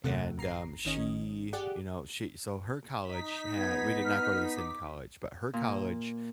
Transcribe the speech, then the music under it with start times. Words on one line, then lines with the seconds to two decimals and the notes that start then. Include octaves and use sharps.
and, um, she, you know, she so her college had we did not go to the same college, but her college
0.04 D#2 C3 A3 F#5
0.38 G#1 A#5 C7
0.85 G#1 D#3 C#4 D#5
1.53 G4 G#4 D5 F#5
3.04 D#4 B6
3.58 B3 G#6
4.04 F6
4.57 D6
5.54 A#2